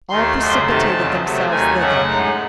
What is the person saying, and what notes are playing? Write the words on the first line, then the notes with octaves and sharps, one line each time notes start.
All precipitated themselves thither.
D#2 D#3 A3 C6
F#2 C#3 F#3 A3
C3 D#3 A3 A5
E2 C#3 F#3
C3 F#3 A3
D#2 D#3 A3 G#5
F#2 C#3 F#3 A3 F#5
A2 G#3 D#4